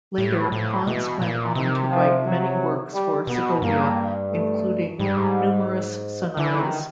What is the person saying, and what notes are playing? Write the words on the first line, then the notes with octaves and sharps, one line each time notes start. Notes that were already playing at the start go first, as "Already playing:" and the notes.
Later Ponce went on to write many works for Segovia, including numerous sonatas.
A2
A2 F3
B2 E3
A#2
C3 D#3
F3
F#3
G3
B2 B3
G2 A#3
A3
G#2 G3
G2
G#2
D3 E3
D#3